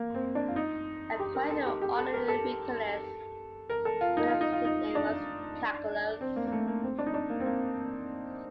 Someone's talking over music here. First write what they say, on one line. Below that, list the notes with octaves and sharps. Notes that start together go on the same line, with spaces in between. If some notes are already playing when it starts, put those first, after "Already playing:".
According to Orderic Vitalis, William's nickname was "Calculus".
Already playing: A#3
C4
D4
F4
D#4
G4
A#4
A4
G4
G4
A4
A#4
A4
A#4
A4
F4
D#4
F4
D#4
F4
D#4
D4
C4
A#3
A#3
A3
A#3
C4
D4
D#4
D4
A#3
C4
A#3